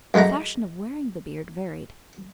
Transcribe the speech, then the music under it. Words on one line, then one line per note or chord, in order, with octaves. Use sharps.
The fashion of wearing the beard varied.
F#2 G#3 A3 F#5 A#5